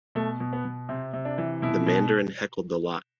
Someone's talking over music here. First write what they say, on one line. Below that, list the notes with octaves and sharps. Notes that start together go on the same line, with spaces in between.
The mandarin heckled the lot.
B2 A3
B2
B3
B2
C3 C4
C3
D4
E3
B2 E4
B2